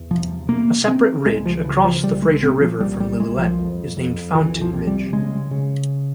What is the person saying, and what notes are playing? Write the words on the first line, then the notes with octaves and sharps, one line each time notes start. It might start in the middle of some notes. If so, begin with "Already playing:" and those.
A separate ridge across the Fraser River from Lillooet is named Fountain Ridge.
Already playing: E2
C3 F3
C3 A#3
C3 C4
C#2 G#3
F3
C#3 E3
F3
C2 G3
G#3
A#2 C4
F3
C2 G3
G3
C2 G#3
F3
F2
F2
C2 E3
F3
C3
G3
C#3 G#3
C#3